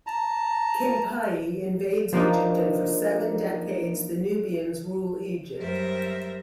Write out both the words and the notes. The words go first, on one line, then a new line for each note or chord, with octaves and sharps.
King Piye invades Egypt and for seven decades the Nubians rule Egypt.
A5 A#5
F3 A#3 D4 D#4
F#2 G3 A#4 C5 E5 A#6